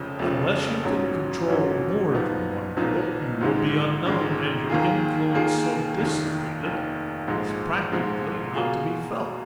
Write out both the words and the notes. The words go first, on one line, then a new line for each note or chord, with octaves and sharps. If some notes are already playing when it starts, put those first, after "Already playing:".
Unless you can control more than one vote, you will be unknown, and your influence so dissipated as practically not to be felt.
Already playing: F1 F2 C#3 F3
F1 F2 C#3 F3
A#1 G#2 F#3 C#4
A#1 G#2 F#3 C#4
B1 A#2 F3 B3 D#4
B1 A#2 F3 B3 D#4
A#1 G#2 D#3 G#3
A#1 G#2 D#3 G#3
D#2 D#3 A#3 F4 G#4
D#2 D#3 A#3 F4 G#4
F1 D#2 D#3
F1 D#2 D#3
A#1 G#2 F3 G#3
A#1 G#2 F3 G#3
B2 A#3 F4 G#4